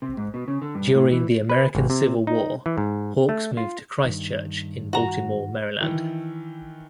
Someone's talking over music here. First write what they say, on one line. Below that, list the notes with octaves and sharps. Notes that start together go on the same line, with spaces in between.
During the American Civil War, Hawks moved to Christ Church in Baltimore, Maryland.
C3
G#2
B2
C#3
D3
G2
A2
E3
B4
G#1
C3
D#4
E3
G#2
A3
F4
G2 D#3
F#4 A#5
D#3 E3